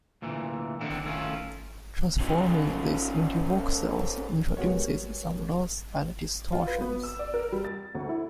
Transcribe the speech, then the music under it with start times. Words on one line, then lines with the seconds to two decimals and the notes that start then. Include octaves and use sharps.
Transforming this into voxels introduces some loss and distortions.
0.22 D2 A#2 E3
0.81 D3 D#3 B3 C4 D4 E4
1.05 D#3 A3 C#4 E4 F4
2.20 C#3 F3
4.57 G3 G#3 B3 F#4 A#4 C#5
6.53 F4
6.67 B4
6.81 B3
7.03 E6
7.19 D5
7.34 A#4
7.52 G3
7.65 A6
7.95 D2
8.09 E4